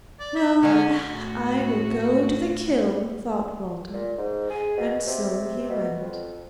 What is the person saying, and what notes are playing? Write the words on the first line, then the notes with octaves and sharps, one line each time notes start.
'No, I will go to the kiln,' thought Walter, and so he went.
D5
E5
D3 G#3 C#4
A2 F#4
A#2
G#2
G#4
B2
C3
B2
F2